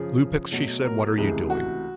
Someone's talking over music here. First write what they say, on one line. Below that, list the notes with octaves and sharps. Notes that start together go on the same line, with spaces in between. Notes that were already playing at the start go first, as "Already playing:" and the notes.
"Lupex," she said, "what are you doing?"
Already playing: F#2 C#3 F3 G#4
B2 F#3 A3
A#4
C#2 C3 E3 A3 G#4
F#4